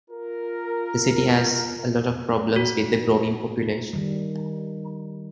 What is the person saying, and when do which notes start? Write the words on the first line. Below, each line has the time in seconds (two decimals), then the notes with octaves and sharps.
The city has a lot of problems with the growing population.
0.11 F4 A#4
2.56 F#4
3.93 D#3 G3